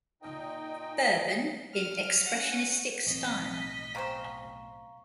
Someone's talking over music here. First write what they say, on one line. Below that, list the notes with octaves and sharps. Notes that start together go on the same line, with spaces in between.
Berben in expressionistic style.
A#2 D#4 D#5 G5
F6
C#4 F#5
B1 A2 E3 C4 D#5 B6
C#3 C4 C5 F5 A#5 C#6